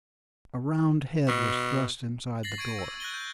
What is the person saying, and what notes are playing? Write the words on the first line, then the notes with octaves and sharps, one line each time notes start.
A round head was thrust inside the door.
B2
A6 A#6 C7 F#7
C#6 G#6 D7 D#7
E6 A#6
F#6 G#6 A#6 D#7 G7
G6